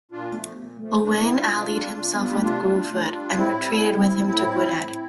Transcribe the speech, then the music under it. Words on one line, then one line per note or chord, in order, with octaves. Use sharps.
Owain allied himself with Gruffudd, and retreated with him to Gwynedd.
A#2 D4 F4
F3 A3
A#2
F3 A3
C3 D4
C4 E4
G3
D4 F4
C3
G3
C3
G3
G4
C3 D4 F4
G3
A2
G3
A2 C4 E4
G3
A2
G3
A2 C4 E4
G3
A2